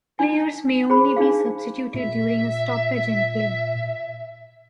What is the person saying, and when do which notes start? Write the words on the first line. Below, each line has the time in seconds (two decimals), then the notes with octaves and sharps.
Players may only be substituted during a stoppage in play.
0.19 D4 D#4 G#5
0.90 G#4 C5 B5
1.16 D4 D#4 G#4 F5
1.94 A#2 E5